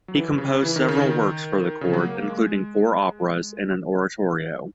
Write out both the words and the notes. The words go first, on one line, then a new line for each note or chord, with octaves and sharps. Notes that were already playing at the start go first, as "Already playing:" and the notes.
He composed several works for the court, including four operas and an oratorio.
F#3
E3
C#3
E3
D#3
C#3
D#3
C#3
F#3
A#3
A#3
G#3